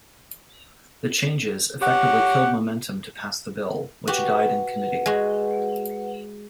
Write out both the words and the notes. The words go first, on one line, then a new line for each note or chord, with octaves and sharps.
The changes effectively killed momentum to pass the bill, which died in committee.
G4 C#5 F#5
F#4 G4 B4 F#5
G#3 F#4